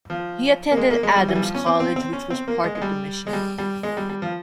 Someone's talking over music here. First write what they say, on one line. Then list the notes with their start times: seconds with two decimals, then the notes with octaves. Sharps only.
He attended Adams College which was part of the mission.
0.10 F3
0.71 A#3
0.77 G#3
0.90 A#3
1.03 G#3
1.16 G3
1.28 E3
1.36 G3
1.42 F3
1.55 C#4
1.66 C4
1.80 C4
1.96 C4
2.13 C#4
2.30 C4
2.48 A#3
2.64 G#3
2.75 G#3
2.82 G3
3.27 G#3
3.33 G3
3.58 G3
3.83 G#3
3.97 G3
4.09 G3
4.22 F3